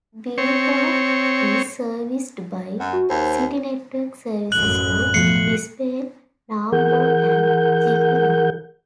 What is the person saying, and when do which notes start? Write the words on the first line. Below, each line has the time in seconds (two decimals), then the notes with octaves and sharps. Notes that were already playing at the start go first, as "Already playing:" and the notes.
Beerwah is serviced by City network services to Brisbane, Nambour and Gympie North.
0.38 C4 C#5
2.80 F#2 F#5
2.93 F#4
3.10 D#2 C5
4.52 A1 F#2 F#6 F#7
5.14 B2 F3 A3 C7 C#7
6.72 E3 G#4 A#4 F#5 G6